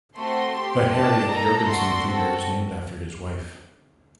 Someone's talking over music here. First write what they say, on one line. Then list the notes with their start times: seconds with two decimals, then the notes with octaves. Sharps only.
The Harriet Jorgensen Theatre is named after his wife.
0.18 A3 C4 F#4 A4 C6
0.56 C4 G4
0.92 A3 D4 G4 A5
1.30 A#3 D#4 A4 A#5
1.68 A3 D4 F#4 A4 C6
2.06 C4 F#4 A4